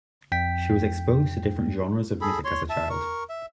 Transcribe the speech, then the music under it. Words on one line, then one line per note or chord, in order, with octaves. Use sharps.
She was exposed to different genres of music as a child.
F2 G5 B6
G#4 A4 B5
C#5 C6
E5 A5
A#4 C#6
E5